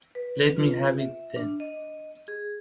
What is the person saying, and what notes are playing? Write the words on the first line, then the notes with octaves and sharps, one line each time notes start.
Let me have it then!
B4
F4
E5
D4
D#5
G#4